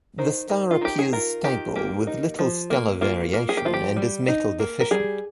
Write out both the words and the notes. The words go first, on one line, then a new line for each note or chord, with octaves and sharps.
The star appears stable, with little stellar variation, and is metal-deficient.
D#3 C5
D#3
F4
D#3 G4
G#4
F4 A#4
D#3 G4
A#3 G4
D#4
F3
A#3
A#3 F4
A#3
G#4
G4
F3 F4
G4
G3
D#4
A#3
A#4
G3 G#4